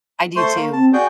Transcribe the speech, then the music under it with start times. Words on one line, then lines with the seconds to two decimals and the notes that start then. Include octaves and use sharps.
I do too.
0.36 A3 C5 C6 C#6
0.56 A#3
0.73 C4 A5
0.93 F#4 G#4 D5 G5